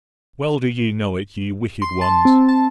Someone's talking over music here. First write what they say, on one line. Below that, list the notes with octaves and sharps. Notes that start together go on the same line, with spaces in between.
Well do ye know it, ye Wicked Ones.
C6
A5
C4
A5